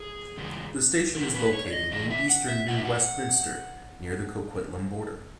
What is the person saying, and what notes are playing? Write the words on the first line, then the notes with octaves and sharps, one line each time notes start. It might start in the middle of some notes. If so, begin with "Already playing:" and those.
The station is located in eastern New Westminster, near the Coquitlam border.
Already playing: G#4
E2 C#3 G#3
E2 C#3 A#4
B4
C#5
C#5
D#5
E2 C#3 D#5
E5
F#5
E5
B2 F#3 F#5
E5
F#5